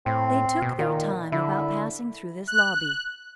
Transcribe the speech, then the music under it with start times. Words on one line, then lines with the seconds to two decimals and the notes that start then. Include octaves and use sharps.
They took their time about passing through this lobby.
0.06 A2 C4
0.62 B2
0.79 A#2 D#3
1.32 D3 E4
2.48 F#6